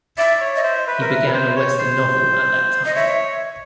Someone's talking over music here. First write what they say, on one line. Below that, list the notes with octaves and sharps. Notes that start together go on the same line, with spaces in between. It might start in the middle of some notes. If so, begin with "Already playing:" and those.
He began a western novel at that time.
D5 E5
C#5
D#5
C5 E5
B4
A#4
B4
C5
C#5
C5
D#5
C#5 E5